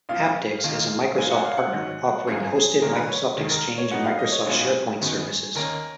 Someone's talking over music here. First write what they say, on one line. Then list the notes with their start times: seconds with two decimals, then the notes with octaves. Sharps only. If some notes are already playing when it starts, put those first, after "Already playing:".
Apptix is a Microsoft partner, offering hosted Microsoft Exchange and Microsoft SharePoint services.
0.09 A#1 A#2 F3 F5
0.64 D#2 D#3 A#3 F4
1.18 G#2 F#3 B3 F4 G#5
1.31 F#5
1.45 F5
1.57 F#5
1.72 G#2 D#3 F#3 C#4
2.27 G#1 F#2 F3 A#3 F4 G#4
2.55 G#4
2.82 A#1 G#2 D#3 A#3 A#4
2.96 B4
3.09 C#5
3.36 F1 D#2 D#3 G#3
3.51 A#4
3.78 C#5
3.91 A#2 F#3 B3 D#4 F#5
4.05 F5
4.19 D#5
4.32 C#5
4.46 A#1 G#2 F#3 B3 F4 G#4
5.01 F#2 D#3 F#3 B3
5.55 D#2 D#3 A#3 C#4 A#4